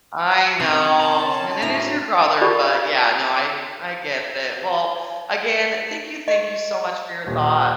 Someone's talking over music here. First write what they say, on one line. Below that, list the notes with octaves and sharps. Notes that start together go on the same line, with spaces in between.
I know. And it is your brother, but, yeah, no, I I get that, well, again, thank you, thank you so much for your thoughts.
C3 C#4 D#4 G#6
C#4 A5 A#5 C6
A2 D4 F#4 E5 A#5
F4 G4 A#4 D5 B5 C#6
D#5
D#1